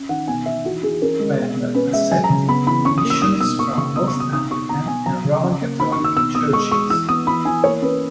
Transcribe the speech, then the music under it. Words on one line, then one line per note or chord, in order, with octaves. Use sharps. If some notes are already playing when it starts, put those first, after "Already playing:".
Webb accepted commissions from both Anglican and Roman Catholic churches.
Already playing: C#4
D#3 F#5
B2 G#5
D#4 E5
E3 F#4
E3 G#4
C#4 A#4
G#3
B2
B2
C#4 B4
G#3 E5
F#3 G#5
A#5
C#3
B3 B5
E3 B5
C#4 C#6
D#6
A#3
E6
D#4 D#6
B2 E6
A#3 C#6
C#3 C#6
B2 D#6
C#6
B2
D#6
D#4 D#6
B2 C#6
B2 A#5
B2 G#5
F#3 A#5
C#3
C#4
A#3
D#3 B5
C#6
D#3
E6
B2 E6
B2 D#6
G#3 C#6
G#3 C#6
E3 E6
B3 D#6
E3 B5
E3 G#5
A#3 C#5
C#4 B4